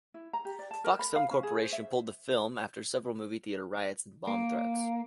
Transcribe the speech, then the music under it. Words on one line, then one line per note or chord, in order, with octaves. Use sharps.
Fox Film Corporation pulled the film after several movie-theater riots and bomb threats.
E4
A#5
G4
D5
A5
A#4
B5
F5
C#4
G#4
C5
E5
A#3